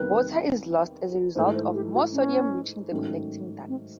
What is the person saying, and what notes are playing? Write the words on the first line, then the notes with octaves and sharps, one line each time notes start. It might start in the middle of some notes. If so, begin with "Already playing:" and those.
Water is lost as a result of more sodium reaching the collecting ducts.
Already playing: E2 C3 D#3 G3 A#3 B4
G#2 E3 A3 C5
C5
G4
F#4
C#4
G#2 D#3 F#3 A3 C#4
C4